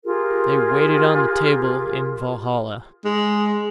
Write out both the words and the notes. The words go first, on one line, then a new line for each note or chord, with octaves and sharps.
They waited on the table in Valhalla.
F4 G4 G#4 A#4
G#3